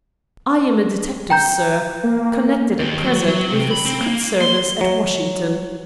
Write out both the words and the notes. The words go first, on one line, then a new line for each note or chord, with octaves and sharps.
I am a detective, sir, connected at present with the Secret Service at Washington.
G5 A#5 G6
A#3
D#2
F#3
F#3
C3
B5
C4
A#3
C6
F#3